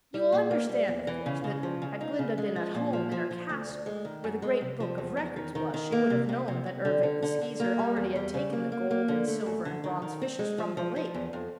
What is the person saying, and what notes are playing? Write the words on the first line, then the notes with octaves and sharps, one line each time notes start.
You will understand, of course, that had Glinda been at home in her castle, where the Great Book of Records was, she would have known that Ervic the Skeezer already had taken the gold and silver and bronze fishes from the lake.
G3
A#2
A#3
G3
E2
E3
C#3
C#3
F3
C#3
D#4
C#3
G#3
F3
A#2
F3
F3
F3
D2
D2
G#3
D#3
F#2
G#3
C3
F3
E2
E2
D#3
D#3
D#3
A#3
C3
C3
C3
C3
D3
D3
D3
D3
A#3
G3
E2
G3
C#3
A#3
A#3
A#3
D3
A3
F#2
D3
D#3
D#3
C4
G#3
F3
F3
F3
E2
F2